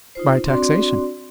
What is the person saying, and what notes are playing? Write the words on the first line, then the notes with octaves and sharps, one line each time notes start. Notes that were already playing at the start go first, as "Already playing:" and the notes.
By taxation.
D#4 F4 C5
C4 D4 F#4 D5 C6